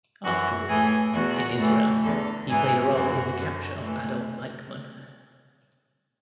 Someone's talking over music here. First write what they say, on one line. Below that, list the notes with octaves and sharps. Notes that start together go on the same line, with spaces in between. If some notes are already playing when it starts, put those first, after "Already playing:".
Afterwards, in Israel, he played a role in the capture of Adolf Eichmann.
F#2 E3 F#4
A2 E3 G#4
E2 B2 F#4
A2 E3
E2 D3 A4
G#2 E3 G#4
F#2 C#3 E3 F#4
F#2 D3
A2 E3